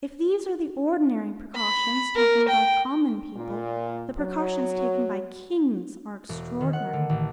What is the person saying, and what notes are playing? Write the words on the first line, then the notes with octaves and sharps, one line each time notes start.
If these are the ordinary precautions taken by common people, the precautions taken by kings are extraordinary.
B5
A#4
G5
A#2
F#3
E1
D#3
F#5
D3
A1